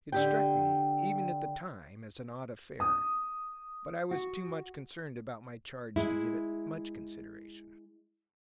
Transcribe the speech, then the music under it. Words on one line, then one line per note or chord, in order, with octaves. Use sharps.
It struck me, even at the time, as an odd affair, but I was too much concerned about my charge to give it much consideration.
D3 G4 G5
D#6
F#4
G#3 E4